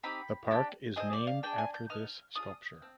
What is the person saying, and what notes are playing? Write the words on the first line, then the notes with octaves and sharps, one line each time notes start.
The park is named after this sculpture.
C4 D#4 G4 B5
D4 G4
C4 F4 G#4 D#5
D5
F5
D4 G#4 G5
G#5
G6
B3 D#4 F6
D4 F4 G#4 D#6
C4